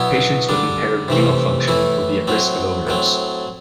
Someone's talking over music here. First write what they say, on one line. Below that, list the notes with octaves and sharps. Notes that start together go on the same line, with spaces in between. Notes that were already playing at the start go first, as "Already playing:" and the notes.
Patients with impaired renal function will be at risk of overdose.
Already playing: B2 F#3 B3 E4
D3 G3 D4
C3 E3 A3 C4
A2 E3 A3 E4
A2 F#3 C4
A2 F#3 C4